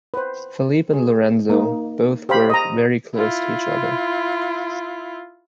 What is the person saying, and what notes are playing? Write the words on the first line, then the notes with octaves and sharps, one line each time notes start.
Felipe and Lorenzo, both were very close to each other.
B4 C5
G#4
A#3 D#4
G4 C5 F5 B5
D#5 A#5
E4 F4